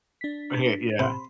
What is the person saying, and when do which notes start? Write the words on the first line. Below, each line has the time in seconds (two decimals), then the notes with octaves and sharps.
Hey yeah.
0.21 D4 B6
0.99 C3 B5 C6